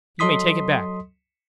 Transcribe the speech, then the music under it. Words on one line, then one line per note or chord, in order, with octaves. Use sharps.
You may take it back!'
F#3 A4 D#5 C6 D#6 B6